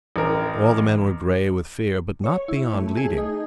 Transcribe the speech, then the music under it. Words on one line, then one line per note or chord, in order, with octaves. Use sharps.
All the men were gray with fear, but not beyond leading.
A1 A#4
C#5
E4
A3
G#4
D#4